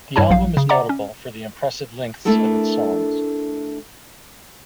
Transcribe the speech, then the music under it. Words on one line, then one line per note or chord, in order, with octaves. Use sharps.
The album is notable for the impressive lengths of its songs.
G2 G3 E4 C#5 G#5 A5
A#1 F#3 F5
C#3
D5 E5 F#5 A#5 D6
C#4
A3 D4 E4 A4 A#4